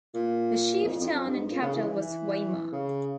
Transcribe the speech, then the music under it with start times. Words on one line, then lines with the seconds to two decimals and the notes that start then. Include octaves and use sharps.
The chief town and capital was Weimar.
0.14 A#2
0.84 E2
0.88 F2
1.01 F2
1.13 F2
1.26 G2
1.38 G#2
1.50 A#2
1.62 C#3
1.74 E3
1.87 E3
1.99 E3
2.72 C#3